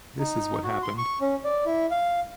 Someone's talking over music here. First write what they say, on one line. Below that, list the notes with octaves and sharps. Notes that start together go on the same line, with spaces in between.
This is what happened.
D#4
F#4
C6
C#6
C#4
D5
E4
F5